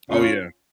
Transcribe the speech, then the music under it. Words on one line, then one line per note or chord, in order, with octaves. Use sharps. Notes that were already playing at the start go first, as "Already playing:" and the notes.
Oh yeah.
F2 C#3 F3 C#4 F4